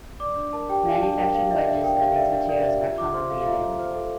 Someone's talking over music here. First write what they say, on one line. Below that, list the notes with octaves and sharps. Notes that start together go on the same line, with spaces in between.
Manufactured wedges of these materials are commonly available.
D5 D6
D4
A#4 A5
G4 G5
D5 F5
D4 A5
A#4 G5
G4 F5
D5 E5
D4 E5
A#4 G5
G5
G4 F5
F5
D5 E5
D4 E5
A#4 D5
G4 E5
F4 E5
F4 D6
C5 C6
A4 F5
F5
F4 E5
F4
C5
A4